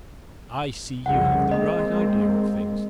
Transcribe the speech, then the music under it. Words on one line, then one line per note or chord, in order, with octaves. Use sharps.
I see you have the right idea of things.
C2 F2 C#3 F#5
G#3 A#3 C4 D#5